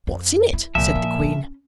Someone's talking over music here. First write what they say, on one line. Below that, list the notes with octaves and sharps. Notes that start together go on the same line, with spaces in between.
'What's in it?' said the Queen.
F2
E4
C2 A#2 F3 E5
A#3
B3 C#4